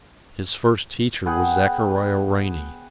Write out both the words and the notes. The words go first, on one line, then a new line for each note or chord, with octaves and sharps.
His first teacher was Zachariah Riney.
B3 G#4 F#5 G5